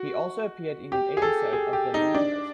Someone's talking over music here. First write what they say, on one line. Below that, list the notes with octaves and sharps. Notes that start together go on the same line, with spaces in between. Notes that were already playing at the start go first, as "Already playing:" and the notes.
He also appeared in an episode of "The Mentalist".
Already playing: F#4
G4
G#4
A4
G#4
G4
D#4
D4